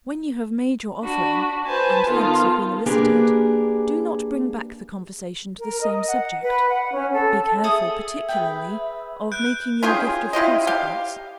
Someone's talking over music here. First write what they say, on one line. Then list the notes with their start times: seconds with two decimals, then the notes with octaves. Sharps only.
When you have made your offering, and thanks have been elicited, do not bring back the conversation to the same subject; be careful, particularly, of making your gift of consequence.
1.02 D4 F#4 B5
1.66 B4 C5 G#5 A5
2.08 D#3 B3 F4 A4
2.86 A#3 D4 G4 G#4 A#4 B4
5.59 A#4
5.80 D#5
6.07 F#5
6.42 B4
6.69 F#5
6.93 C#4
7.13 A4
7.64 G#4 A4 E5 D#6
8.29 G#4 B4 G5
9.32 F#6 G6 D7
9.83 C#4 F4 G4 G#4
10.33 E4 F4 G4 D#5
10.67 G4 F5